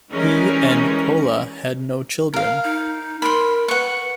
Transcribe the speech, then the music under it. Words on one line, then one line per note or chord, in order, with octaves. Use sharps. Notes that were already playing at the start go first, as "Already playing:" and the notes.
He and Pola had no children.
E3 G3 G#3 C#4 D#4 A#4
A#4 F5
D#4
A#4 B5 C6
B4 F#5 C#6